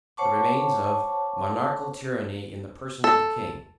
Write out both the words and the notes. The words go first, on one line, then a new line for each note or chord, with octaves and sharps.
The remains of monarchical tyranny in the person of the king.
C5 C#5 F#5 A5 C#6 D6
A4